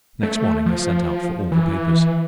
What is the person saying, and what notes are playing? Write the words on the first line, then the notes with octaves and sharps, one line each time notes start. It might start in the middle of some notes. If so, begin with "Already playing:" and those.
Next morning I sent out for all the papers.
A3
F3
E3